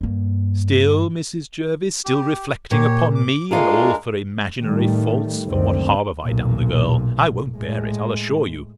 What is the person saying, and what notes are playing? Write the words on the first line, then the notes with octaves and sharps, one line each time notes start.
Still, Mrs. Jervis, still reflecting upon me, and all for imaginary faults! for what harm have I done the girl?--I won't bear it, I'll assure you.
G2 A#3
G4
A#2 G4 C#5
D6
G#3 A3 D4 F4 G#4 A#4
A2 D#3 G3 A3
C#2 F#2 D3 D#3 A3 C4
B1 A#2
A2 G#3